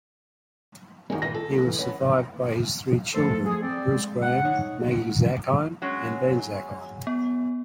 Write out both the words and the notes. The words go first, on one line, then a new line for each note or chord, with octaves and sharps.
He was survived by his three children; Bruce Graham, Maggie Zackheim and Ben Zackheim.
C2 F#2 D#3 G#3
G2 A#2 E3 A#6
A4
E3
B3 C#4
F3 A3 A4 C5
G#4
C4 D5
G#3
F#5
D#4 C#5
F#3 G#3 C#4
B3